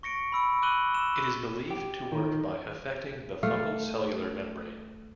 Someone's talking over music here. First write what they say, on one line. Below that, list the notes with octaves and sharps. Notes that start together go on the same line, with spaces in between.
It is believed to work by affecting the fungal cellular membrane.
C#6 A#6 C#7 D7
B5 E6 D7
D6 E6 F#6 D#7 F#7 G7
E6 E7
G4
D#3
A3 A4 F5